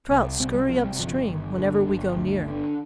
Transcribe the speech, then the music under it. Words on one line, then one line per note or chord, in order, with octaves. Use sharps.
Trout scurry up stream whenever we go near.
C2
C2 C4
G3
C3 F3
G3
G1 F3
G1
G1 D3
G1
D2
D3